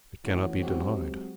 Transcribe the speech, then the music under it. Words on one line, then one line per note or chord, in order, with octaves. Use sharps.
'It cannot be denied.'
E3 A3 C#4 F#4 C#5
F#3 G#3 C4 F#4 G4